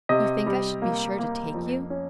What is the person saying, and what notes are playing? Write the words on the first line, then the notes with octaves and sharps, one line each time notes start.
"You think I should be sure to take you."
C3 D#5
G3
A#3
A#3
F2
C#4